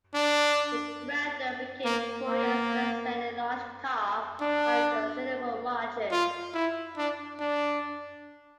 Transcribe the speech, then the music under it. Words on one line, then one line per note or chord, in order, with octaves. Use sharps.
The Grandeur became Korea's bestselling large car by a considerable margin.
D4
A#3
A#3
D4
F4
E4
D4
D4